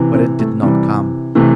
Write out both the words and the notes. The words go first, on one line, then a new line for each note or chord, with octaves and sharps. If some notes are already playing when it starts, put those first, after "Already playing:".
But it did not come.
Already playing: C3 E3
C4
A3
C3 E3 G3
C3 E3 A3